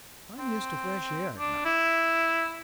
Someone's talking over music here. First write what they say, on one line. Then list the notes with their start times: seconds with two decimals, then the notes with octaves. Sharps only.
I'm used to fresh air at night.
0.39 C4
1.39 D4
1.65 E4